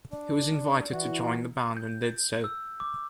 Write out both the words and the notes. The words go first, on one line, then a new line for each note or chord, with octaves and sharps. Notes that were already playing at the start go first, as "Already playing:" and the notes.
He was invited to join the band, and did so.
D4 D5
E3 E4 F#4
G6
E6
D6